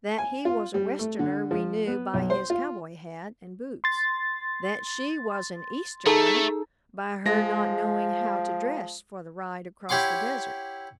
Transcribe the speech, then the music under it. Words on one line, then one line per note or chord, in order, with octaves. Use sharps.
That he was a Westerner we knew by his cowboy hat and boots; that she was an Easterner, by her not knowing how to dress for the ride across the desert.
G#5
F4
G3
A3
D3
F3
B3
B1
C5
F4
C6 A6
A3 D#4 G#4 A4
F3 G#3 A#6
E4 G4 C#5 F#5 C6 D6